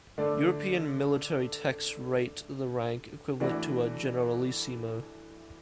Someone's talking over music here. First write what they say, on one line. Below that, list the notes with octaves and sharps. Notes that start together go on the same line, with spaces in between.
European military texts rate the rank equivalent to a "generalissimo".
D3 A3 D4 A4 D5
E3 A3 D4 F#4